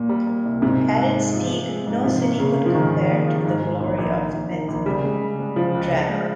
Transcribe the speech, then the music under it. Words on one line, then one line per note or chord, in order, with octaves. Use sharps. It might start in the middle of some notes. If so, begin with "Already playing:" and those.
At its peak, no city could compare to the glory of Myth Drannor.
Already playing: A#2
G3
G3
C2
G#2 C3
G#2
G#2
G#3
F3
F3
G#3
G#2
C3 F3
A#3
C#3 A#3
A#3
F3
G#2 D#3
F3
A#3
F3
G#2
G#2
A#1
A#1
D#3
A#1
D#3
A#1
C#3 G3
G#3
C#3
G#3
C#3 F3
C#2
C#3
G#3